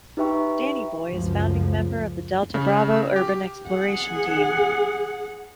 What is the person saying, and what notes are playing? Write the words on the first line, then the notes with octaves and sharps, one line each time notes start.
Danny Boy is founding member of the Delta Bravo Urban Exploration Team.
D#4 G4 B4 E5 G5 C#6
C#2 F#2 F3
C#3
G4
G#4 F#5